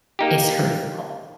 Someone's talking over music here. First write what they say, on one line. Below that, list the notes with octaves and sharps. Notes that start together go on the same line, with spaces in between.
It's her fault.
A#3 D#4 G4